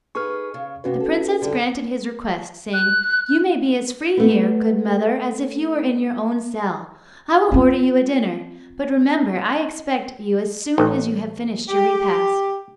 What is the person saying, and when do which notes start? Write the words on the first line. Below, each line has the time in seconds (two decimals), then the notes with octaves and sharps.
The princess granted his request, saying, "You may be as free here, good mother, as if you were in your own cell: I will order you a dinner, but remember I expect you as soon as you have finished your repast."
0.15 D#4 G#4 B4 C#6 F6
0.54 C#3
0.84 D#2 C3 B3 C#4 F#4 B4
1.00 A4
1.42 D3 G3
2.73 F#6
4.17 A3 B3
7.51 C4 F4
10.78 A1
11.69 G4